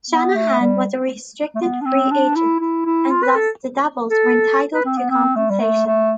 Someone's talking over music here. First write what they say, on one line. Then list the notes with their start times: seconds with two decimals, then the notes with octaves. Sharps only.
Shanahan was a restricted free agent, and thus the Devils were entitled to compensation.
0.11 B3
0.35 A3
0.61 G3
1.55 A3
1.61 B3
1.81 D4
1.85 C4
2.11 D4
2.36 E4
2.60 E4
2.85 E4
3.11 F4
3.23 B4
3.35 A4
4.11 A4
4.73 B4
4.85 C4
4.98 B3
5.10 C4
5.36 A3
5.50 G3
5.60 A3
5.86 A3